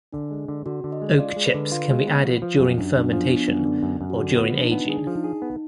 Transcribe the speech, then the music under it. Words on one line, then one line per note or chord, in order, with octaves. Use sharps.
Oak chips can be added during fermentation or during aging.
D3 D4
G#3
D3
D3 F#4
D3
D#5
G#3
F4 D5
G#3
B4
D3
F4
G#3
B3
F3
F3
F#2
F#2 D4
F#2 D4
B3
F3
D4
F3 B3
F#2 D4
B3
D3
F#2
F#2
F#4
D3
B3 F4
F3 D4
D#4
B3
D4 G#4
F3
D#4
G#4
B3